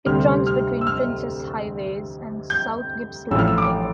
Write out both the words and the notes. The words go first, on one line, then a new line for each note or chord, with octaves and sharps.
It runs between Princes Highway and South Gippsland Highway.
D2 C3 G3 C4 F6
F6
E6
F6
G6
A1 A2 F3 A3 E6
F6
E6
D6